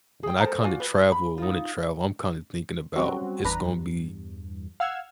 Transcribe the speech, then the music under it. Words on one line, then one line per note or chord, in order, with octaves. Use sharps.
when I kinda travel or wanna travel, I'm kinda thinking about it's gonna be
G#4 G5
A4 A#4 C5 A#5
F4 F#4 D5 G#5
B4
B5
D#4 F4
F#3 G3 C4 C#4 F#4
G1 E2 D4 B4 A#5
E2 G2
F5 F#5 E6 F6 G#6